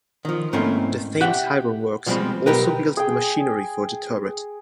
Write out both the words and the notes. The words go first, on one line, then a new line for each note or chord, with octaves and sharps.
The Thames Ironworks also built the machinery for the turret.
D#3 F3
G#2 A3 A#3 C4 C#4 E4
G4 E5 F#5 G5
B2 F3 G3 G#3 C4
B1 E2 B2 G4 A#4 B4
G#4 G5